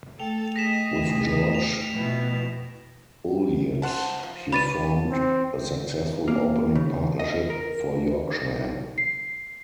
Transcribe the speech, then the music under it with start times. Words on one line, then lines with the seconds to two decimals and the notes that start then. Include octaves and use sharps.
With George Ulyett, he formed a successful opening partnership for Yorkshire.
0.20 A3 A4 G5 F7
0.56 G#4 D#5 A#6 B6 E7
1.55 F7
1.93 F2 B2 E4
3.82 C5 F#5 A5
4.19 F3 F#3
4.53 B4 C#5 D5 B5 A6 D#7
5.11 C4
6.28 A#3
6.75 C#3
7.19 D#5
7.50 A#4
8.98 C7